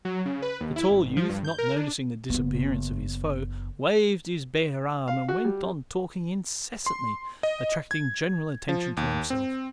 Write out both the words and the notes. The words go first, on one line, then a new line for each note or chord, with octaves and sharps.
The tall youth, not noticing the disappearance of his foe, waved his bare arm and went on talking incessantly, attracting general attention to himself.
F#3
C#3
B4
D#2
E4
G#1
F3
G2
G6
A#4
D4
F#1 B3
F5
F#4
G3
C6
D#5
G#6
F3
D#2
C4